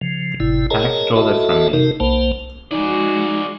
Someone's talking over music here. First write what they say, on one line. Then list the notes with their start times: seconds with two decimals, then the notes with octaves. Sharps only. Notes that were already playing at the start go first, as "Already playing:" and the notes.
Hack stole it from me.
0.01 C#3 F3
0.40 G1 A2 C3 E4
0.71 G#4 A#4 C#5 D#5 A5 A#5
1.16 F#4 A4 D#5 E5 A5
1.73 C3 D#4 A#4
2.00 B1 A#3 C5 A5
2.71 F3 G#3 D#4 F#4 G#4 D5